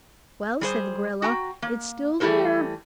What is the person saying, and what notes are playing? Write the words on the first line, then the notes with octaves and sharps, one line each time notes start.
"Well," said the gorilla, "it's still there!"
G3 G#4 C5
F#4 G5 A5 A#5
A#3
E3 G3 A3 E4 A#4 C5